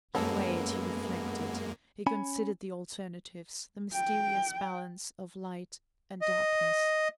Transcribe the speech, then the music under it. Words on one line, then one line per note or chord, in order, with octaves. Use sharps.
He weighed, he reflected, he considered the alternatives, the mysterious balance of light and darkness.
F#2 G#3 A#3 B3 C#4 A4
C#4 G#5 B5
G5
D#5